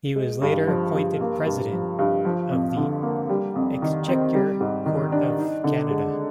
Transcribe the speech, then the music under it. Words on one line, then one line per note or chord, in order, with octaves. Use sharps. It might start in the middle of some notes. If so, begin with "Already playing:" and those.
He was later appointed president of the Exchequer Court of Canada.
G#3
G2
F3
G2
A#3
G2
F3
G2
F3
F2
D3
A#3
G3
F2
D#3
C4
G3
G#2
D#3
D4
D#4
D3
G#3